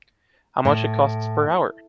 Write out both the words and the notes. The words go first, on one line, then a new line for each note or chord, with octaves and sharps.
How much it costs per hour?
A2